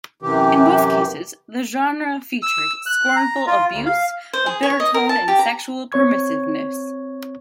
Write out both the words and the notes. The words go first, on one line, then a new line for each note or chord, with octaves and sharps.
In both cases, the genre featured scornful abuse, a bitter tone and sexual permissiveness.
F#2 C3 E3 G4
E6
F#6
A#5
F4
D2
F5
C5
G#4
C#5
D#5
A#4
A5
G4
A#5
C4 C#5 C#6 G#6